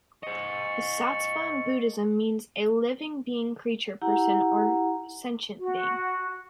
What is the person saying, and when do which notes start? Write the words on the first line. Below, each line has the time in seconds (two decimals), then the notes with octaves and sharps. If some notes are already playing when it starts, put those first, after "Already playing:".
The Sattva in Buddhism means "a living being, creature, person or sentient being".
0.23 C5 D#5 C#6
4.02 E4 G4 F#5 A#5
5.59 F#4